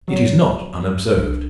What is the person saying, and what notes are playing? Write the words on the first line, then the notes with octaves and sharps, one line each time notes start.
It is not unobserved.
F#3
C2 D4